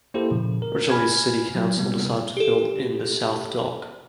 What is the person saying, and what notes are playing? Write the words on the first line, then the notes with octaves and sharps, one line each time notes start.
Originally the city council decided to fill in the South Dock.
A#3 E4 G4 A4 C5
A#2 C#3 F3
A#4
G#5 B5 F6 G#6
F#3
C3 G3 B3
G4 A4